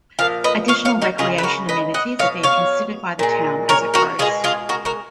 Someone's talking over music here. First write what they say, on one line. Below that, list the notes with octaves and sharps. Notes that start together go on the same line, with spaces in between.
Additional recreation amenities are being considered by the town as it grows.
A#2 F3 F5
B4 D#5
C#5 F5
C#5 F5
D#4 F#4
C#3 G#3 F4 G#4
B4
F#4 A#4
B4 D#5
D#5 F#5
G#3 C#5 F5
B2
C#5 F5
A#2 G#3
A#4 C#5
F#4 A#4
B2 G#3 F4 G#4
F4 G#4
F#4 A#4
F#4 A#4